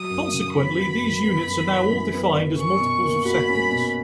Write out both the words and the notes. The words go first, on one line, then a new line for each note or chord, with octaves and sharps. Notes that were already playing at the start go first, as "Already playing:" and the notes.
Consequently, these units are now all defined as multiples of seconds.
Already playing: F#3 D#6
F#2
C#3
B3 B5
F#3
F#2
B3
F#2
E3
F#2
B3
F#2
C#4 C#6
B2
A#3
F#4 B5
C#4
B2